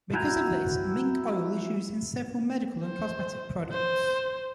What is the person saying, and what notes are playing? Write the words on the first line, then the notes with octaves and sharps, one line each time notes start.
Because of this, mink oil is used in several medical and cosmetic products.
E4 F#4 G5 G#5 A#5
C5
C5